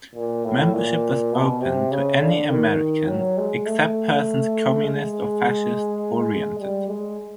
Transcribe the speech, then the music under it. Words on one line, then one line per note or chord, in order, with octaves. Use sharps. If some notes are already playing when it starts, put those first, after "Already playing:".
Membership was open to any American "except persons Communist or Fascist oriented".
A#2
A2
A#2
B2
C3
C#3
D3
D#3
F#3
G#3
A3
G#3
G3
G#3